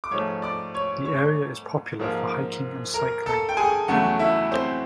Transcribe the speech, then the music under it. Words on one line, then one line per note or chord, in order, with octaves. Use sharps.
The area is popular for hiking and cycling.
D6
G#2 F3 A3 C#5 C#6
D5 D6
C#5 C#6
C#5 C#6
G#2 F3 A#3
A#4 A#5
A4 A5
G5
G#4 G#5
E2 C#3 F#3 A3 F#4 F#5
E4 E5
C4 C5